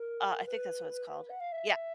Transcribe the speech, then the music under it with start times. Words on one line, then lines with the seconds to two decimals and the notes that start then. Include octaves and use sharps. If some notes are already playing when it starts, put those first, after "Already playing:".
Uh, I think that's what it's called. Yeah.
Already playing: A#4
0.46 B4
1.29 F#5
1.40 F5
1.52 E5